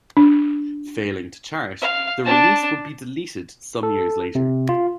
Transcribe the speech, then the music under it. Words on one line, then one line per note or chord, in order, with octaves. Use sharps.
Failing to chart, the release would be deleted some years later.
D4
F5
D4 A5
A4
C3
F4